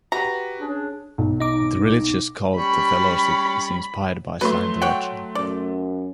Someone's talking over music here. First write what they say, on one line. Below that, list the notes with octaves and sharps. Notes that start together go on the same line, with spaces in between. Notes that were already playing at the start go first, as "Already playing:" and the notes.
The religious cult the Fellowship is inspired by Scientology.
F#4 G4 B4 A#5
C#4 D4 G#4
B1
D#4 D6
G3 C#4 B5
F#3 A3 B4 C6
C#5 F#5 G5
F#2 D5